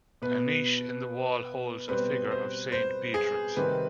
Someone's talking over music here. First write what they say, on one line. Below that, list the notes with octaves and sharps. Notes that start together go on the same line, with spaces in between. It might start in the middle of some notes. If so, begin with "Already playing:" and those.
A niche in the wall holds a figure of Saint Beatrix.
B2 B3 B4
B2 G3 C4 B4
C5
C5
G#4
C3 D#3 G3 C4 B4